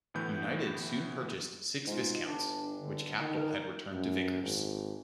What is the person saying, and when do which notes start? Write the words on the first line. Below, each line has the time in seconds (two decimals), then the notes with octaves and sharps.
United soon purchased six Viscounts which Capital had returned to Vickers.
0.14 D2 A2 E3 B3 G6
1.87 G#2 F4
2.26 G1 D4
2.78 D3
3.21 D#3
3.38 A#4
3.92 F#2
4.42 G#1